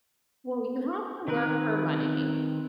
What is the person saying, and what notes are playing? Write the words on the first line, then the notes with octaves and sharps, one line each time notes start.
Well, you have to work for money,
D#3 C4 A#4 B4